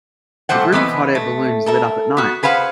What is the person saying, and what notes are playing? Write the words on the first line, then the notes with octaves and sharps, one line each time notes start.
A group of hot air balloons lit up at night.
A#2 G3 A3 C5 F#5
E3 B3 C4 B4 D#5
A3
A4 A#4 E5
B3 F#4
G#4 B4 C5 F5 F#5